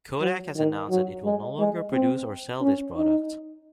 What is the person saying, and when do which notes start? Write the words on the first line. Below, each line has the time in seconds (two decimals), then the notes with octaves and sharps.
Kodak has announced that it will no longer produce or sell this product.
0.21 F#3
0.56 D#3
0.90 F#3
1.25 G#3
1.59 G#3
1.93 C4
2.61 C#4
2.96 D#4